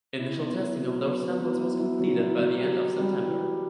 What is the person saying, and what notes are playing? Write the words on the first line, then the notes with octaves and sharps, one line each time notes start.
Initial testing of those samples was completed by the end of September.
E4
B3
E4
F#3
B3
B3
F#3
E4
E4
F#3
E4
F#3
G4
G4
G3
E3
G4